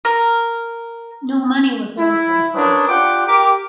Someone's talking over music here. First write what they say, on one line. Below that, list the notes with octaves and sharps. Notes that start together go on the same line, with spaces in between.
No money was earned for the pot.
A#4
E4
C#4 D4 A#4 B4 C#5 D#6
D4 F4 G4 F#5 G5 D6
G4 A#4 D6